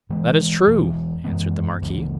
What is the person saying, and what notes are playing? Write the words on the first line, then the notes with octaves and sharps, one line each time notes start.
"That is true," answered the marquis.
G#2 E3 G#3 B3
E1 E2 B2
F#2 E3 G#3 B3
C#2 C#3 E3 A#3